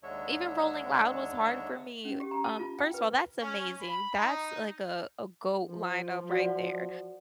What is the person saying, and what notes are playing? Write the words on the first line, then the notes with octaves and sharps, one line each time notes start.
Even Rolling Loud was hard for me, w um, first of all, that's amazing, that's, like, a a GOAT lineup right there.
D#2 D3 G#3 D4 C#5 E5
C#4
G4
A#5
A5
F4
G5
B4
C#4
B5
D#4
F3
F#4 D5 F#5